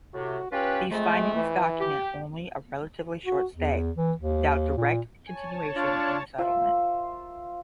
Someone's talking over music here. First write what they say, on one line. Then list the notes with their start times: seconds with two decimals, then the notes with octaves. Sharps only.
These findings document only a relatively short stay, without direct continuation in the settlement.
0.13 A2 C3 F#4
0.51 C#4 F4 G4 B4
0.90 F2 G#3 A3
1.34 E3
1.79 G4
3.26 F#4
3.57 E2
3.97 E3
4.19 D#2
4.78 A#2
5.27 C#5 G#5 A5
5.76 D4 F4 D5
6.38 F4 A#4 C5 E5